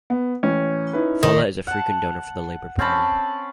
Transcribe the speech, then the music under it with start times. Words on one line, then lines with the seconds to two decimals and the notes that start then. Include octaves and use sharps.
Follett is a frequent donor for the Labour Party.
0.10 B3
0.43 A1 C#4
0.93 D#4 E4 B4
1.23 D#3
1.67 F#5 A5
2.79 C4 C#4 A5 B5